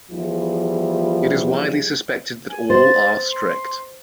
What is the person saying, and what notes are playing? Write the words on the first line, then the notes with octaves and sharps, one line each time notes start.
It is widely suspected that all are strict.
E2 F3 G3 E4 F4 G#4
G#5
C5 A6
C6